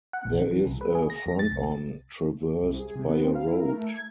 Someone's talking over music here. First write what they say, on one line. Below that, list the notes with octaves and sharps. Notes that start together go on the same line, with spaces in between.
There is a Fronton traversed by a road.
F#5
A#1
D#3
E3
C2
B4
G#4
A#6
F2
A6
C2
C2
G#4
C3
B3
C4
F5
E4
A#4
A3
G#6